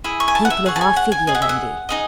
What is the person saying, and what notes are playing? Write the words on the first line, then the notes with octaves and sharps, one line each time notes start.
'People of our figure, Wendy.'
E4 G#4
C#6
G#5
A5
F#5
E5
G#4 C#5 F#5
A5
G#5
F#5
G#5
G#4 D#5 G#5
F#5
E5
F#5
D#4 G#4 D#5